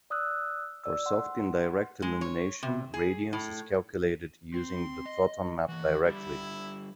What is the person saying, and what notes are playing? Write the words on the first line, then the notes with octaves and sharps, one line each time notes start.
For soft indirect illumination, radiance is calculated using the photon map directly.
D5 D#6 E6 F#6
D5 E6
F#5 C6
G#3
C#5
C3
G#4
A2
C4 C6
D#5
E3 A#3 F#4
D3 G3 E4 G4